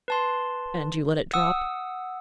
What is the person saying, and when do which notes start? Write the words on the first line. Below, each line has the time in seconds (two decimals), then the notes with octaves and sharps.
"And you let it drop?"
0.08 B4 A5 C6
1.33 F#5 D#6 E6